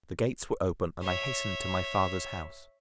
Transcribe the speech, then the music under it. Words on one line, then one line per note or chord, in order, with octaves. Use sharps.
The gates were open, and I hastened to my father's house.
C#5 E5